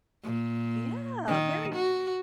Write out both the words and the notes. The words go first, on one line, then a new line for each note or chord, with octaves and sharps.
Yeah, very
A#2
D#3
F#4